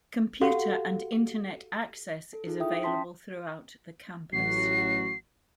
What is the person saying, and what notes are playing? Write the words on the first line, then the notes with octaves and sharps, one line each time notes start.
Computer and internet access is available throughout the campus.
F#4 G4 A4 F5 F#5
A4
D#4 F4 G#4
E4 E5 G5 D#6
C#4 G5 A5 C6 B6
A1 F#3 F#4 C7